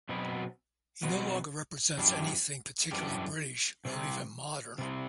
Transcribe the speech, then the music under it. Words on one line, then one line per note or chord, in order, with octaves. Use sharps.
He no longer represents anything particularly British, or even modern.
B2 F#3 C4 F#4 B4
B2 F#3 C4 F#4 B4
F#2 E3 G3 D4 G4
F#2 E3 G3 D4 G4
C3 G3 C4
C3 G3 C4